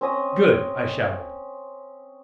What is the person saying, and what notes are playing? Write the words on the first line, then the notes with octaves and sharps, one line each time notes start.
"Good!" I shouted.
C4 C#4 D#5 D#6